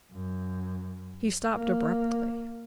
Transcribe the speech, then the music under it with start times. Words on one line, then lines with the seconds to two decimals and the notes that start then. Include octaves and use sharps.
He stopped abruptly.
0.13 F#2
1.53 A#3